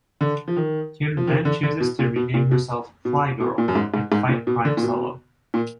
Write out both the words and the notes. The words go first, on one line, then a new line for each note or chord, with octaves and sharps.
Kim then chooses to rename herself "Fly-Girl", and fight crime solo.
D3
F3
D#3
F3
D#3
D3
D3
B2
A#2
B2
A#2
B2
B2
B2
A#2
F#2
G#2
G#2
G#2
A#2
B2
D3
A#2
B2
A#2